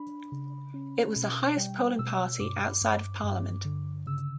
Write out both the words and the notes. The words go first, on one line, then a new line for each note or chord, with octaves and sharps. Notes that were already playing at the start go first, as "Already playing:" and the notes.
It was the highest polling party outside of parliament.
Already playing: D4 B5
C#3
C#4
B2
G3 G5
B2 E6
G2 D6
G2
G2
D3
C#3 E6